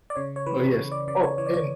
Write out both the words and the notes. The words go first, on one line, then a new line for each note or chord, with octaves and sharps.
Oh, yes. Oh, and,
D5
C#3 C#5
C#5
E3 B4
C#3
D5
C#3 D5
C#5
E3 C#5
D5
C#5